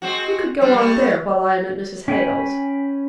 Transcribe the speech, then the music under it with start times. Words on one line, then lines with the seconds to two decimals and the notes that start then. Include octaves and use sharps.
You could go on there while I am at Mrs. Hale's.'
0.02 G#3 C4 F#4
0.61 G3 C4 D4
0.74 G3 A3
2.08 C#4 G5 G#5 B5